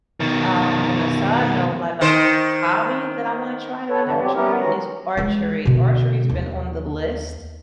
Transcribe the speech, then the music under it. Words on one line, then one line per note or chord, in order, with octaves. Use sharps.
Um, on a side note, like a h hobby that I wanna try that I never tried is archery. Archery's been on the list
B2 D#3
D#3 C5
A4 B4 C#5
G2 D3 E3
F#3 C4 G4
G3 B3 C#4 E4 G4 A#4
D#3 E3 F#3 G#3 F#4 A#5
E3 G#3
B2 D3
D#2